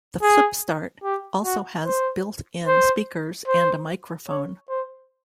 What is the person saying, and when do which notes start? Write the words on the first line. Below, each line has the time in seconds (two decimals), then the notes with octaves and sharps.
The FlipStart also has built in speakers and a microphone.
0.22 G#4
1.03 G4
1.44 F#4
1.86 C5
2.67 C5
3.47 C5
4.29 C#5
4.69 C5